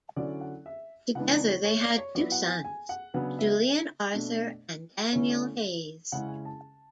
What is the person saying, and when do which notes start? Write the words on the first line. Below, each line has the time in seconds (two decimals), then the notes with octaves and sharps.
Together they had two sons, Julian Arthur and Daniel Hayes.
0.16 D3 F#3 C#4 E4 D5
0.41 F#5
0.66 E5
1.15 C#3 E3 G#3 B3 D4 F#5
1.33 D5
1.49 C#5
1.65 C#5
1.81 D5
1.98 C#5
2.15 F#3 B3 E4 D5
2.32 F#5
2.48 G#5
2.64 G#5
2.89 F#5
3.14 C#3 F#3 B3 D4 F#5
3.39 E5
4.14 B2 A3 D4
5.12 D3 A3 C#4 E4 C#5
5.30 D5
6.12 C#3 G#3 C#4 E4 F#5
6.29 G#5
6.45 A5